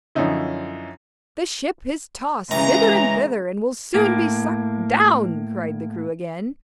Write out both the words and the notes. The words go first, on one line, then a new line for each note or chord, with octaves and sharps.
'The ship is tossed hither and thither, and will soon be sucked down,' cried the crew again.
F#2 D3 F3 C#4 D#4 E4
C#3 E3 G#3 A#5
A2 A#3